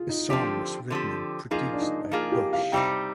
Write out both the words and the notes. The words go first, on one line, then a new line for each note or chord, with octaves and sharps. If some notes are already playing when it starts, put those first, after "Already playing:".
The song was written and produced by Bush.
Already playing: F4 G#4
D#4
D3 F3 C4 D4 G4
D3 F3 C4 G4
F3 A#3 D#4 F4 G#4
D4
D#4
F3 A#3 F4 G#4
G4
F5
C3 G3 C4 D#4 G5